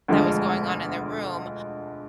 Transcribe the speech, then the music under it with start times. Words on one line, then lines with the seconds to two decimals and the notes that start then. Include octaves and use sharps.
that was going on in the room,
0.08 E1 D2 D3 F3 G#3